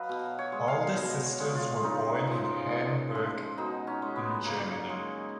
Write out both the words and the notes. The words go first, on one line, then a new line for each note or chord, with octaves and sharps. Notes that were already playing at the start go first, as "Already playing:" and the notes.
All the sisters were born in Hamburg in Germany.
Already playing: F#3 B4 D#5 F5
B2
C#5
G#3
F5
B2 D#5
C#5
G#3
F4
C#3 D#4
F3 G#3
A#2
F3 G#3
B2 D#4
C#4
G#3
B3
C#3 A#3
G#3